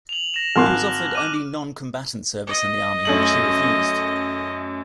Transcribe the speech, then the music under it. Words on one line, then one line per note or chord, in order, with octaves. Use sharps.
He was offered only non-combatant service in the army, which he refused.
F7 F#7
A#6 E7
G#1 A#3 C6 F6 F#6
D6 F#6 D#7
D#5
F#2 A3 F#7